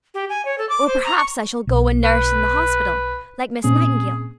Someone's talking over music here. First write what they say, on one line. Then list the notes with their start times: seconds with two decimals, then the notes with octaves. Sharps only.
Or perhaps I shall go and nurse in the hospital, like Miss Nightingale.
0.14 G4
0.29 G#5
0.45 C#5
0.58 A4
0.69 D6
0.87 C5
1.05 A#5
1.17 C#6
1.67 B1
2.04 B4
3.64 A#2 C4 C#4 G#4